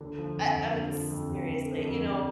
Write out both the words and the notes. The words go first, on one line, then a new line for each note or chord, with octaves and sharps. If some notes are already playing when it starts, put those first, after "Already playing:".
I I mean, seriously, you know?
D3
F3
F2
F2
D3
F3
F2
F2
D3
F3
F2
F2